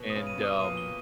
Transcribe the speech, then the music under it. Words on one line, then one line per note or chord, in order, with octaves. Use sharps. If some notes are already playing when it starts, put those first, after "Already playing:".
And, um,
Already playing: B2 B3
D#6
C#3 C#4
D#7
B2 B3
D#6
A#2 A#3 D#7
G7